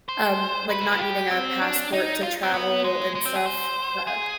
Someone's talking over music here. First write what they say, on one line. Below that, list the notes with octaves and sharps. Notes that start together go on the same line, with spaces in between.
um, like not needing a passport to travel, and stuff, uh,
C5
B4
D#4
F4
G4
C4
D4
D#4
F4
C4
B3
G#3
G#3
C4
G#4
C5
G#4